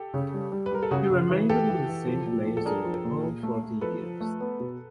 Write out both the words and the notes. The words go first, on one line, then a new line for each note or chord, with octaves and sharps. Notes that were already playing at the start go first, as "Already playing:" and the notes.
He remained in the same place during the whole fourteen years.
Already playing: G4 A4
C#3
G3
G3
B4
G3 A#4
A4
C#3 F#4 G#4
C#3
E3
E3 G4 A4
E3
E3
F3
A#2
F3
A4
D4 G#4 A#4
F3
A#2
A#2
A3
A3
F3 A4 B4
F3
A3
B3
B2